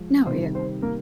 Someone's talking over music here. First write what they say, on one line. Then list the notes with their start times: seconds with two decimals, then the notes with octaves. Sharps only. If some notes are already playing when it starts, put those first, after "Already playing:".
No, yeah.
Already playing: F3 G#3
0.26 C3 D#3 G3 C4 C5
0.55 C4 C5
0.82 A#3 A#4